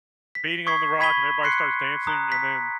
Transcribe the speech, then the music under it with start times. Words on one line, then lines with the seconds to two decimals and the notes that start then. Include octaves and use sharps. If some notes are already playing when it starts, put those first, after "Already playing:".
beating on the rock and everybody starts dancing and then
0.35 B6
0.67 C#6 D#6 G#6 B6 C7
1.00 B5 G#6 B6 D#7 G7
1.43 C6 F#6 C7 C#7
2.07 A#5 D#6 F#6
2.32 B6